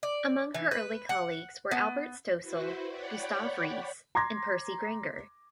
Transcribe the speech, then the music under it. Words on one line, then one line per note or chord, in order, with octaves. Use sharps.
Among her early colleagues were Albert Stoessel, Gustave Reese, and Percy Grainger.
D5
E3
B4
F#5
B3
E4 F#4 B4 C5
C#5 D5 F#5 G5 B5
A#5 C6 D6 G#6 A#6